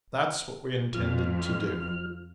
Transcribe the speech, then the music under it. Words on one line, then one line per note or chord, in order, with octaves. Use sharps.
That's what we intended to do.
F2 F3 F6